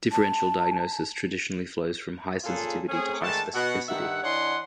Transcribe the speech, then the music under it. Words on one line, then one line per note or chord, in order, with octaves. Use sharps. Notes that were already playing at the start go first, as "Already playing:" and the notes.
Differential diagnosis traditionally flows from high sensitivity to high specificity.
A5
A#2 C#3 F4 G#4 A4
A3 C4 C#4 G#4
G#2 D#3 A3 D4 A5
B2 F#5
G2 D#3 E5 F#5
E3 D4 C#5 D#5 F#5 C6